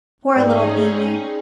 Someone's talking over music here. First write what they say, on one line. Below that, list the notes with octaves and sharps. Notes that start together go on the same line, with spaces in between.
Poor little Amy!
G#2 G3 C4 C#4 D#4 G#4 C5